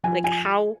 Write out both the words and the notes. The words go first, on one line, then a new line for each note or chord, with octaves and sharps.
Like, how
F3 G#5
G#5